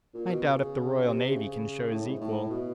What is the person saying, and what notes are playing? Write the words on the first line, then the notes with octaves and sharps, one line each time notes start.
I doubt if the Royal Navy can show his equal.
A#2
B2
C#3
C3
C#3
A2
G#2
A2
B2